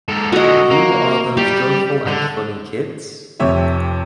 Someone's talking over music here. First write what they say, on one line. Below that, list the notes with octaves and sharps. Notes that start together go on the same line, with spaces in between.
You are those joyful and funny kids?
G#2 A4
D3 G#3 F#4 D#5
A#3
G3 G4
D3
F1 F2 C3 C#5 E5